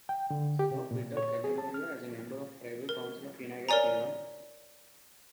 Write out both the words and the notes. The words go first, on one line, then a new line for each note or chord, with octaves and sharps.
Sir Peter Kenilorea as a member of the Privy Council of the United Kingdom.
G5
D3
G4
C3
A#2
C#5
G#4
A5
F6
A#4
A#4 C#5 D5 G#5 A#5